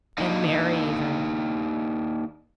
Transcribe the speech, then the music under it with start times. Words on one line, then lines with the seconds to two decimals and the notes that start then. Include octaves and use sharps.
And Mary even.
0.18 A#3 D4 D#4 D#5 F5